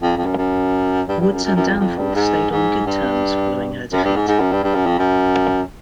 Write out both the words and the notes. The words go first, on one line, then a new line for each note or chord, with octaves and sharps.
Woods and Danforth stayed on good terms following her defeat.
F2
F2
F#2
F#2
G2
G2
F#2
F#2
F#2
F2
F2
G2
G#2
G#2
G2
F#2
G2
G#2
G#2
F#2
G2
G2
F#2
F2
F#2